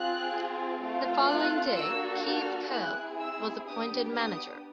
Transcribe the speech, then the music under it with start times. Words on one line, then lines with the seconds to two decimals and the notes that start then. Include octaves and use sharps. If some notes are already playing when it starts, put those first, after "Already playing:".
The following day Keith Curle was appointed manager.
Already playing: C4 F4 G#4 F#6
0.81 A3 C4 F4
1.29 F#6
1.76 A#3 D4 F#4 A4 E6
2.24 F6
2.72 C4 E4 G#4 F#6
3.20 E6
3.67 B3 D4 G4 D#6
4.15 D#6